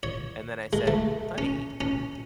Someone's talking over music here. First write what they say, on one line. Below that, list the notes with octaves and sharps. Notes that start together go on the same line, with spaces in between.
and then I said, "Honey,
C#5
G#3
A3
C#4
C#4